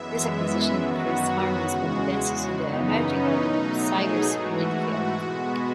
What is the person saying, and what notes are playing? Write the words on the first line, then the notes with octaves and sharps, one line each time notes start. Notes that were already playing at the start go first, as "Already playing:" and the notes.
This acquisition increased Harman's competencies in the emerging automotive cyber-security field.
Already playing: F#2 E3 G#3 B3 E5
E5
F#2 D#3 F#3 B3 F#4
F#4
E2 C#3 G#3
F#2 C#3 E3 B3 D#4
C#4
B2 F#3 A3 D#4
G#4
G#2 E3 A3 F#4
B2 G#3 B3